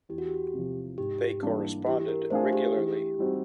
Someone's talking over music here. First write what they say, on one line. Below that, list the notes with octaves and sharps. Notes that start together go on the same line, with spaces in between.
They corresponded regularly.
E2 G4
F#4
G4
C3 F3
G#2 G4
E3 G3 A#3 D4
E3 G4
A#4
A3 D4 F4 G#4 C5
G4
E3
G3 C4 D#4 F#4